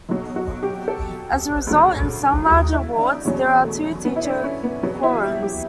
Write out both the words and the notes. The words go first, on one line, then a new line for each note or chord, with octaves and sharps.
As a result, in some larger wards there are two teacher quorums.
B1 B2 F#3
F#4
G4
A4
D2 C#3 F#3
F#4
E4
D4
E2 B2 F#3 C#4
A3
B3
E4
D4
C#4
B3
E2 B2 F#3 B3
E4
G4
G4